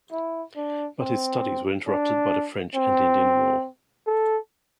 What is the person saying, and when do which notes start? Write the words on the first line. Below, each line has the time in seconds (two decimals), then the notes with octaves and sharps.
But his studies were interrupted by the French and Indian War.
0.12 E4
0.56 D4
1.00 C4
1.87 D4
2.75 C4
4.07 A4